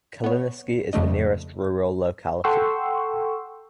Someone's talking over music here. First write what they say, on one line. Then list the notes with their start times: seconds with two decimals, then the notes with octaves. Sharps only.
Kalininsky is the nearest rural locality.
0.24 B3 C#5
0.93 F2 C#3 G3 A3 D4 D#5
2.44 A4 F#5 G5 C6 C#6 E6